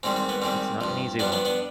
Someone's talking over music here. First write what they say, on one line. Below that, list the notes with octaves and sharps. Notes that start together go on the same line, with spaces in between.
It's not an easy one.
G#2 D#3 G3 C4
C4
B3
G#2 D#3 G3 C4
G2 F3
G2 F3 B3 D4
B3 D4
B3 D4